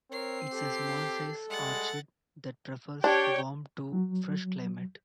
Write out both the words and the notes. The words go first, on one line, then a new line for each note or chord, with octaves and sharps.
It is a small size orchid, that prefers warm to fresh climate.
C4 A#4 C#5 C7
G4 A4
G3 G#3 F#5 A6
D4 G4 C#5 G5
F#3